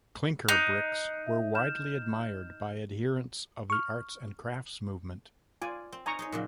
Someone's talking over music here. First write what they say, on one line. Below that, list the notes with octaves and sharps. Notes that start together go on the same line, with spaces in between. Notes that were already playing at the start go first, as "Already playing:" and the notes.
Clinker bricks were widely admired by adherents of the Arts and Crafts movement.
D#4 F#6 C7 C#7
E5
F6 G6 E7
C#6 F6
F4 D5 G#5
C4
D#4 G#5 A#5 C#6
D#4 G#4 C#5
A#2 C#3 F#3